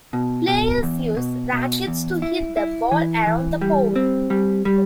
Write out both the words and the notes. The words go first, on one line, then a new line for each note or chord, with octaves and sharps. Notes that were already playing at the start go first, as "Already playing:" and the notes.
Players use racquets to hit the ball around the pole.
B2
B2
E2
B2
B2
E2
E4
E4
E3
E3
G3
C4
G3
G3